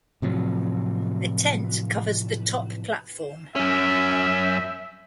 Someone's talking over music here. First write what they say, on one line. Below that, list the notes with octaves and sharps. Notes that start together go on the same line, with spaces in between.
A tent covers the top platform.
A2 C3 F3 F#3
F#2 C#4 E5